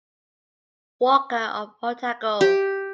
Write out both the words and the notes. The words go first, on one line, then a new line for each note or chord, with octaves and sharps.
Walker of Otago.
G4